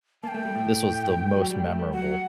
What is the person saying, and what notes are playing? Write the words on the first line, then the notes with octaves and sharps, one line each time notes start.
this was the most memorable."
A#3 G5 A5
A3
G3
A2 A3
F#3 F#4
G3 G4
A3 A4
G3 G4
F#3 F#4 F#5